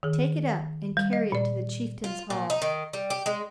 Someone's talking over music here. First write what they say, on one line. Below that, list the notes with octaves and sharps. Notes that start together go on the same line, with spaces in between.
Take it up and carry it to the chieftain's hall.
D#3 G#4
G3
D#5
A#2 D5
F4
A#2
D#4
D#3
G3
G4
G#3